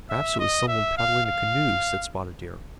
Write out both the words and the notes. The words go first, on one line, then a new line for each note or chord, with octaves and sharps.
"Perhaps it was some one paddling a canoe," said Spotted Deer.
E5
D#5
E5
F5
F5